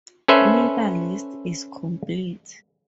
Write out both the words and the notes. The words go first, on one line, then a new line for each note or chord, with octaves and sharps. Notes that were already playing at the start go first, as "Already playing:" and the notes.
Neither list is complete.
C#4 A4 B4 C5 E5